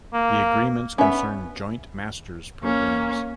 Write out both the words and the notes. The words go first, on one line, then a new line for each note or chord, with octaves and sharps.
The agreements concern joint Masters' programs.
A#3
B3 C#4 E5
A#3 C#4